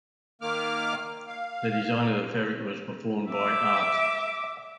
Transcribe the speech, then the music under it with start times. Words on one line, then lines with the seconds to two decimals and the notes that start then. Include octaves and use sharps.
The design of the fabric was performed by Arq.
0.42 D#3 A#3 D6 F6
1.27 F5
3.30 E5 D6